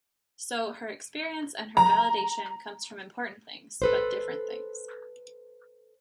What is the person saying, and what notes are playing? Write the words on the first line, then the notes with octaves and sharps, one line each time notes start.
So her experience and her validation comes from important things, but different things.
A#5
A4 B4 C5